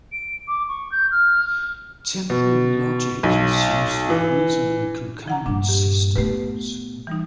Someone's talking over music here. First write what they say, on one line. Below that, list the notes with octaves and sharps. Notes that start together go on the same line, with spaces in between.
Temporal logic is used for reasoning in concurrent systems.
D7
D6
C#6
G6
F6
B2
B1
E3
F3 F#5 A#5
G2 A#2 D4
G4
A#2 A3 B3 G4 B4
E3 G3 D#4